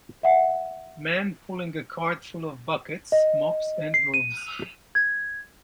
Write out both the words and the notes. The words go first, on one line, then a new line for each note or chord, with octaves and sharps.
Man pulling a cart full of buckets, mops and brooms.
E5 F#5
D#5
C7
D#7
G#6